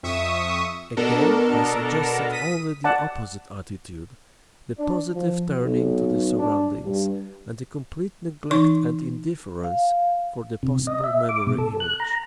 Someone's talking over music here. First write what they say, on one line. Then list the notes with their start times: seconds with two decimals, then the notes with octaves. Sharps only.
Again I suggested only the opposite attitude, the positive turning to the surroundings and the complete neglect and indifference for the possible memory image.
0.03 F2 E5 C#6 D#6
0.97 B2 B3 D4 A4 A#4
2.32 D#6 B6 D#7
2.84 D5 F#5 A5
4.79 D4
5.15 F3
5.62 B1
6.39 D4
6.84 G2
8.51 E3 D#4 C6 C#6
9.64 F5
10.63 C3
10.87 D#5
11.04 E5
11.29 D6
11.47 B2
11.58 A4
11.80 F#6
12.00 A#5